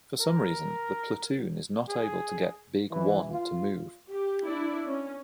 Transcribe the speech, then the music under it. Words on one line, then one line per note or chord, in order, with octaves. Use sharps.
For some reason, the Platoon is not able to get Big One to move.
A#4
G#4
E3
F4
G4
D4 E4 D5
C#4